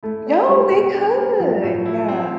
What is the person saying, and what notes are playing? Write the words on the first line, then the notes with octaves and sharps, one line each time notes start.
Yo, they could. Yeah.
A3 E4
C#4
G3 G#3
B2
D4
A#3
F3 F#3
A2
E4
C4